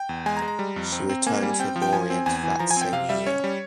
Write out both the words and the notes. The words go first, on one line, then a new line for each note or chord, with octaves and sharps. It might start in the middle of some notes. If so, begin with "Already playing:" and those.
She returned to Lorient that same year.
Already playing: G5
E2
G#3 G#5
A#5
G#3
A#5
G3
F2
C4
C4
A#3 G#5
G3
C4 G5
F3
G5
F3 G#5
C4
E2 G#5
E3
F3 A#5
G#5
C4 G5
C3 F5
G3 E5
C#4 C#5
G3